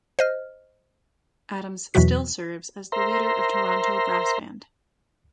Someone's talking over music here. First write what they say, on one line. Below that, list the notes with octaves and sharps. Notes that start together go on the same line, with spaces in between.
Adams still serves as the leader of Tornado Brass Band.
C5 D#5 F6
E2 B2 E3 F#3 F#4 B6
A#4 C5 E5 A#5 C6